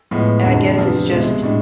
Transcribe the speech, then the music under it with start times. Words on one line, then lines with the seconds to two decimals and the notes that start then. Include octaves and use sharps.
I guess it's just
0.11 A2 F3 G#3 B3
0.44 F1 F2 D3 G#3
0.76 E2 C3 F3 B3 D4
1.10 C2 B2 G#3
1.43 A2 G#3 D4